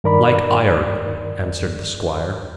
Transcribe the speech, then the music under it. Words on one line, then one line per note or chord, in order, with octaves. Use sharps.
"Like iron," answered the squire.
G2 D#3 A#4 D5 B5